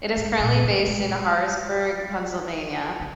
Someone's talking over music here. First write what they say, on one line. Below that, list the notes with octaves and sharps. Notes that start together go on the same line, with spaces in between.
It is currently based in Harrisburg, Pennsylvania.
G#2
A#2
C#3
G#3
C#3